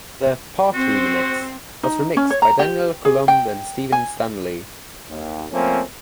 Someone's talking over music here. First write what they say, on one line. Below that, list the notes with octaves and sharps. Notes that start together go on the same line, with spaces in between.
The 'Party Remix' was remixed by Daniel Coulombe and Steven Stanley.
C4 F#4
D#4
C#4
C#5
A#5
G4
G#4
G5
G#5
D#2
F3 A3 A#3 C4 C#4